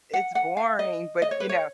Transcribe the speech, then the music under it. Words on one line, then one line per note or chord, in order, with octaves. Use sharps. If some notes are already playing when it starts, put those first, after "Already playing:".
it's boring, but, you know
F#5
F#5
F5
D#5
D#5
C#5
B4
C#5